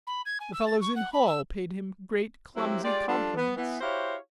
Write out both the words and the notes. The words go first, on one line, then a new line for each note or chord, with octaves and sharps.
The fellows in hall paid him great clumsy compliments.
B5
G#6
G#5
E6
A6
C#6
F#5
B5
E6
F#3 A#3 C4 E4 G4
G#3 F4 G4 D5
F3 G3 D4 F4 A4
B3
E3 B3
E4 F#4 G4 C5 C#5 F5